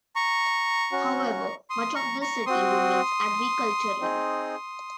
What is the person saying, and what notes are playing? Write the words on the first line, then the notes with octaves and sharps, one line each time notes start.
However, much of the city remains agricultural.
A#5 C#6
C#4 F#4
C6 D#6
A#5 C#6
A#5 C#6
C4 F#4 C6 D#6
C4 D#4 G#4